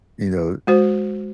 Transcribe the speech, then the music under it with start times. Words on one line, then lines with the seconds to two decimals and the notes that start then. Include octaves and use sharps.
you know,
0.67 G#3 F#4 C5